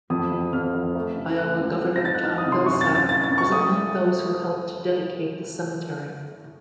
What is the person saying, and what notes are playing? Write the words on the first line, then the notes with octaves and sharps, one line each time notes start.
Iowa Governor Tom Vilsack was among those who helped dedicate the cemetery.
F2 D#6
F2
F2 F6
F2
A3
C#3
A3 F#6
C#2
C4
A#6
D#4 A6
F#6
D#4 F6
D#6
C3
C6
F#2 C#6
A6
C#4
A6
C#4 A6
A6
C#4
C#6
A3 D#6